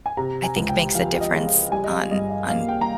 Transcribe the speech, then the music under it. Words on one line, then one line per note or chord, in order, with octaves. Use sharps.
I think, makes a difference on on
G#5
C3 A#5
G#5
C#2
G5
F3 F5
D#5
G#3
F5
G3 G#5
D#5
F5
G2 D#5
D#5
A#3 F5
G5
A#5